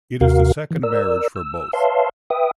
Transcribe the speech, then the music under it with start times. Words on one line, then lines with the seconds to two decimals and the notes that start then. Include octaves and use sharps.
It is the second marriage for both.
0.21 D#2 C3 F#4 A#4 F5
0.71 E3
0.83 A#4 D5 E6
1.36 E6
1.73 B4 C#5 E5 F5 A5 C6
2.30 B4 E5 G5 D#6